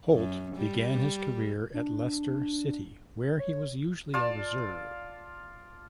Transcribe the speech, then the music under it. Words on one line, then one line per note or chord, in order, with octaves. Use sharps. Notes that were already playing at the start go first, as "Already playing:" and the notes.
Hoult began his career at Leicester City, where he was usually a reserve.
F#2
G3
D4
C#5
F4 D5 A5